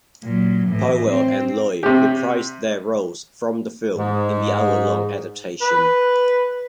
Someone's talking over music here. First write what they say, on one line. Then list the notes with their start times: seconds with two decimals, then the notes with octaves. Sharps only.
Powell and Loy reprised their roles from the film in the hour-long adaptation.
0.23 A#2 F#3
0.68 A2 E3
1.06 C4
1.83 C3 G4
3.99 G#2
5.62 B4